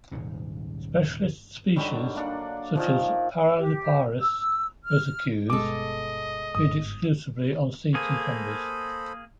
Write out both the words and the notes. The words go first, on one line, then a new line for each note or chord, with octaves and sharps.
Specialist species such as "Paraliparis rosaceus" feed exclusively on sea cucumbers.
D#1 G#2 C3
D3 D#3 F#3 G3
A#3 D4 F#5
A#2 D#3 F3
G4
E6
F6
G1 B2 G#3 A4 D#5 D6
G1 G#2 D#6
A#3 G#4 A4 C5 B5